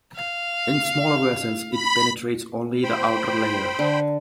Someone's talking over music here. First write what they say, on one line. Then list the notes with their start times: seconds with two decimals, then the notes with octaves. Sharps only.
In smaller vessels it penetrates only the outer layer.
0.16 F5
1.71 B5
2.84 C5 G5 B5
3.79 D3